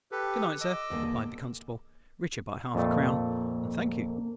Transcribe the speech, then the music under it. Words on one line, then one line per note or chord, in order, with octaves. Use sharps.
"Good-night, sir," replied the constable, richer by half-a-crown--"and thank you."
G4 A4 B4
D#5 D6 E6
E2 D3 A#3
F2 A#2 A3 A#3